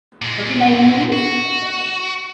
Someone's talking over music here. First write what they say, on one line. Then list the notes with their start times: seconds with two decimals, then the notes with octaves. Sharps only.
Don't you like movies?
0.22 A#2 G#3
1.12 F#4